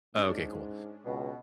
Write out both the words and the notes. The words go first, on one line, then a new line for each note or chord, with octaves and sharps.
Oh okay, cool.
G#2 G#3 C#4 D4
C#2 B2